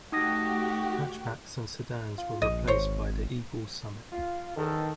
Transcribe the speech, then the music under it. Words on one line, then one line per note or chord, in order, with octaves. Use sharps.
Hatchbacks and sedans were replaced by the Eagle Summit.
A3 D#4 F#4 G4 D#6 A#6
F4
A#1 D#5
G#1 C5 C#5
F4
E2 D#3 A4